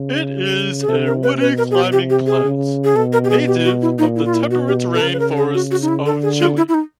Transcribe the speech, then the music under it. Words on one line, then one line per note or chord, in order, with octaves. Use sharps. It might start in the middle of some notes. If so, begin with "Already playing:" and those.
It is a woody climbing plant, native of the temperate rain forests of Chile.
Already playing: C#3
G#4
C3 A4
A#4
B4
B2 B4
A#4
G#4
G4
C3 G4
G4
G#4
C#3
G#4
B2 A4
A#4
G4
G#4
G4
F#4
E4
A#2 D#4
E4
F4
E4
B2 F#4
G4
A4
C#3 A#4
B4
A#4
G#4
F#4
F#4
D#4
E4
D3 A4
G#4
F4
E4
E4
D#4